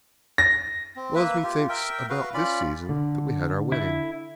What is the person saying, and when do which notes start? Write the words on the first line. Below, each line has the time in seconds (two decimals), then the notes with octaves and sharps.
It was, methinks about this season that we had our wedding.'
0.38 A#6
0.96 C4
1.15 A#3 B4 E5
1.43 F4 G4
1.69 A#4 E5 G5
2.09 F#4 B4 F5
2.34 C#4 F4 D5 B5
2.89 D3
3.72 E4